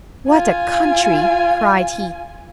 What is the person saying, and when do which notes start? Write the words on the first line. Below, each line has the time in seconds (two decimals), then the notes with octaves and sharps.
"What a country!" cried he.
0.29 F4 G#5